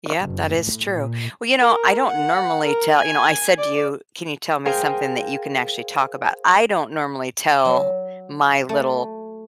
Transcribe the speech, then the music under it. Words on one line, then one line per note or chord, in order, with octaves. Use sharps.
Yep, that is true. Well, you know, I don't normally tell you know, I said to you, "Can you tell me something that you can actually talk about?" I don't normally tell my little
F#1
A2
A#2
A#4
F#5
A#4
G#5
D5
G#4 A#4 C5 F5 G5 G#5
F#3
A3